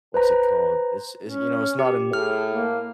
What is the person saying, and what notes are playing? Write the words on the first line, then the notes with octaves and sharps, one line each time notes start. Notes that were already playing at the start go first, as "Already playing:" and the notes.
What's it called? It's it's, you know, it's not eno
B4 C5 A#5
C#4
G4
A2 G#4 F6
A#3